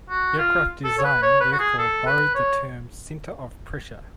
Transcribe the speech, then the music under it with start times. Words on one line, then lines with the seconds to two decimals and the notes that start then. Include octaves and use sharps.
Aircraft design therefore borrowed the term center of pressure.
0.10 F#4
0.38 F4
0.84 A4
0.98 C#5
1.04 B4
1.22 C#5
1.40 B4
1.52 F#4
1.59 G#4
1.78 A4
2.06 B4
2.35 C#5